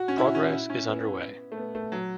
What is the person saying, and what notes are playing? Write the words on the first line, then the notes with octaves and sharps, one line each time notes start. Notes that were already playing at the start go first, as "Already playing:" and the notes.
Progress is under way.
Already playing: F#4
C#4
E4
C#4
E4
C#4
B3
A3
B3
A3
F#3